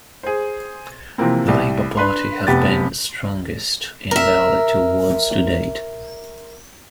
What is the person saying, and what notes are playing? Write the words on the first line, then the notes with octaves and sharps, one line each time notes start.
The Labour Party have been strongest in the other two wards to date.
G#4 C5
C3 E3 F3 A#3 C4
C2 G3
D4 B4 C6
F1 B3 G4 B5 A6
A#4 E5